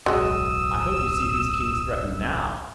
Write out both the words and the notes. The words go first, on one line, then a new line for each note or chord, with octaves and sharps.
"I hope you see whose king's threatened, now."
D1 B1 F#2 F#3 G#3 D#6 E6